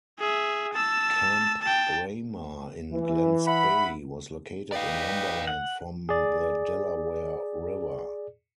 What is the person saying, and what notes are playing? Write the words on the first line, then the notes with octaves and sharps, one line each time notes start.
Camp Ramah in Glen Spey was located in Lumberland, from the Delaware River.
G#4 E5
A5 E6
G5 A5
E3
E5 F#5 B5
D#4 G4 B4 D5 F5
F#5
G#4 D5